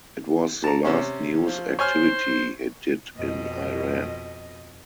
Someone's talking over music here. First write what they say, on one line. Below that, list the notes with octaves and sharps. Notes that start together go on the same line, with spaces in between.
It was the last news activity he did in Iran.
A5 A#5
C3 C#4
F3
C5 C#5 G#5 F6
F2 B2 D#5